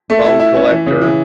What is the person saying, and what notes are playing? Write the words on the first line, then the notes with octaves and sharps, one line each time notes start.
Bone Collector
A3
E4
E4
C#4
E3
C#3
E3